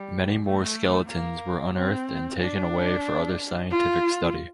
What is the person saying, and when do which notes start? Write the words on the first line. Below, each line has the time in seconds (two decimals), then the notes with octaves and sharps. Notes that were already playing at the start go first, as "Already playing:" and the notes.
Many more skeletons were unearthed and taken away for other scientific study.
Already playing: G3
0.44 A3
1.08 A#3
1.74 C4
2.39 D4
3.71 F4